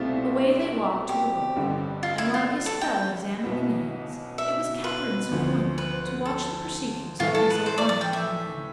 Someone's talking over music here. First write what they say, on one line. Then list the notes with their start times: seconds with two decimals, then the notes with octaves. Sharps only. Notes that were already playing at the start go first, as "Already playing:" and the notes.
Away they walked to the book; and while Isabella examined the names, it was Catherine's employment to watch the proceedings of these alarming young men.
Already playing: C2 B2 A3 C4 E4 F4
1.09 G4
1.56 A1 G2 D3 G3
2.03 F4
2.18 E4
2.34 F4
2.66 A4
2.81 G5
3.43 B1 B2 B3 E4
4.38 E5
4.84 B4
5.31 D2 D3 F3
5.78 B4
6.26 A4
7.19 A2 E3 A3 F4
7.35 A4
7.50 B4
7.66 C5
7.78 D5
7.89 D5
8.01 G5
8.13 E5